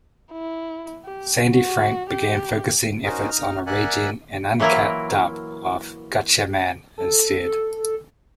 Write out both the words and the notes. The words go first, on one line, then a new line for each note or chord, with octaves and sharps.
Sandy Frank began focusing efforts on arranging an uncut dub of Gatchaman instead.
E4
G4
F#4
G4
C#4 D#4 F#4 A#4 C5 D#5
D#4 F6
A#4 D5 E5 F#5 G#5 F#6
E3 F#3 A#3 E4 F4 A#4
A4